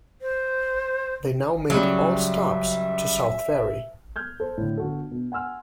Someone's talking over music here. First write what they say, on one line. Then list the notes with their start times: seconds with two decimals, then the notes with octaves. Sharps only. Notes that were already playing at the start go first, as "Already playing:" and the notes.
They now made all stops to South Ferry.
0.22 C5
1.70 C#2 F#3 G3 E5
4.16 F6 G6 G#6
4.40 A4 C5
4.58 A2 D3
4.77 G1 F#4 A4
5.11 B2
5.32 F#5 G#5 C6 E6 F6